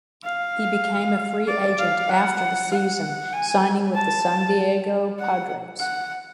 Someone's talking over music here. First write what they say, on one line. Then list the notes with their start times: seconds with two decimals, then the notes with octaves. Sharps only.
He became a free agent after the season, signing with the San Diego Padres.
0.24 F5
1.47 D5
1.79 F5
2.09 F#5
2.71 F#5
3.33 G#5
3.95 A5
5.19 F#5
5.80 F#5